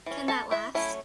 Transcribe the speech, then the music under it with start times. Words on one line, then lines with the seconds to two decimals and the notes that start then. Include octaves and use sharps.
Can that last?
0.06 E3 C#4
0.28 A4 A5
0.51 E4 E5
0.75 F#3 A3 C#4 E4